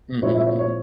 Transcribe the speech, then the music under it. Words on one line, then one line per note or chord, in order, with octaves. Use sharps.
Mhm, mhm.
A#2 F3 G#3 C4 E4 C#5
E5
C#5
C#5